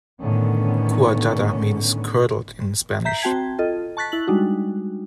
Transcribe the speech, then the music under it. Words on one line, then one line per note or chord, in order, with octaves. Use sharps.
"Cuajada" means 'curdled' in Spanish.
A2 D3 D#3 B3 C#4
E5 A#5 G6 B6 C7
C4 F#4 G5 A5 G#6
F4 A4 D#5
A5 C#6 F#6 A6 B6
E4 F#7
G3 G#3 D4 D#4 F#4